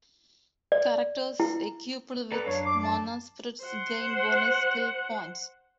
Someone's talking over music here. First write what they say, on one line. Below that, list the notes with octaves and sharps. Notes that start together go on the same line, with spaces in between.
Characters equipped with Mana spirits gain bonus skill points.
D5
E4
A4 B4 D5 A#5
F#2 D4 C#5 F5
D6
A5
C5 F#5